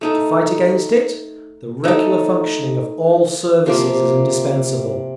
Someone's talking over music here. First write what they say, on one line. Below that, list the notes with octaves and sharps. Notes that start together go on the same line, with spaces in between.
To fight against it, the regular functioning of all services is indispensable.
A3 D#4 A4
A3 D#4 A4
C3 F3 A#3